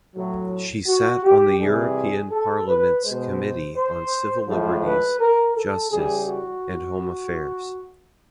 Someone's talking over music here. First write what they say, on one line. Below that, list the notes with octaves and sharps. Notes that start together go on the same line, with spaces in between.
She sat on the European Parliament's Committee on Civil Liberties, Justice and Home Affairs.
A2 F#3
F#4
G4
C3 E3 G3 G#4
A4
B4
B2 G#3 C5
C5
A2 F3 G#3 C5
B4
A#4
A4
C#3 E3 G3 G#4
F#4